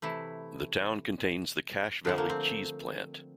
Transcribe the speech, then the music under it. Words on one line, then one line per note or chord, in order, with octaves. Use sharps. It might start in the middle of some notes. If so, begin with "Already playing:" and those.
The town contains the Cache Valley Cheese plant.
C3 E3 A3 E4
D3 F3 A3
A#3
C4